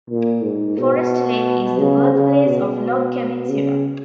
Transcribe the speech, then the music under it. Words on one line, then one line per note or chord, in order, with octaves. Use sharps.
Forest Lake is the birthplace of Log Cabin Syrup.
A#2
G#2
B2
C#3
C#3
B2
C#3